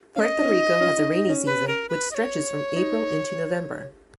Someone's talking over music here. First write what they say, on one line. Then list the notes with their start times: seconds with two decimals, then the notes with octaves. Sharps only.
Puerto Rico has a rainy season which stretches from April into November.
0.16 C#4 D#5 F5
0.43 C#4
0.48 D#4
0.81 C#4 F4
0.97 D#4
1.14 D#4
1.25 D#4
1.29 C#4
1.46 B4
1.67 A#4
1.89 B4
2.11 D#5
2.15 C#5
2.76 D#4